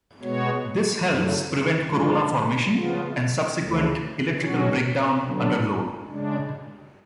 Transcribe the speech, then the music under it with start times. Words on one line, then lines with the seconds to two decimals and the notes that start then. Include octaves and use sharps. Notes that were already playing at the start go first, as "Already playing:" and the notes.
This helps prevent corona formation and subsequent electrical breakdown under load.
0.20 B2 G#3 B3 F#4 C#5
1.05 F#2 C#3 F#3 A3
1.88 G#2 F3 G#3 D4 F4
2.72 C#3 F3 B3 F4
3.56 D2 C#3 F3 A3
4.40 B2 F#3 C#4 F#4
5.24 D3 F#3 B3 D4
6.07 C#3 G#3 D4